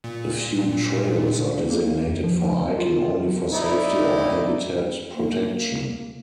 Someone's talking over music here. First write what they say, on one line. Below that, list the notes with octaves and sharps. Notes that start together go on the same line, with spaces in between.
A few trails are designated for hiking only for safety or habitat protection.
A#2
A#3
F2
F3
F4
D#4 E4 D5
A#3